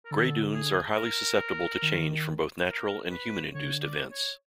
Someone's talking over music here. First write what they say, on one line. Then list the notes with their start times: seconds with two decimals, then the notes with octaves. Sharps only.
Grey dunes are highly susceptible to change from both natural and human-induced events.
0.05 A#4
0.11 D3 A4
0.21 D#3
0.30 D3
0.54 G#4
0.97 A#4
1.82 D#3
2.68 A#4
3.11 B4
3.54 D3 C#5
3.63 C#3
3.73 D3
3.83 D5
4.11 C#5